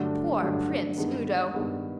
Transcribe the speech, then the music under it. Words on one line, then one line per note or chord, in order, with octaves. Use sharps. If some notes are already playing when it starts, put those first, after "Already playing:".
Poor Prince Udo!
Already playing: G2 D3 F#3 A3 D4
G2 D3 F#3 A3 D4
G2 D#3 G#3 B3
G2 D#3 G#3 B3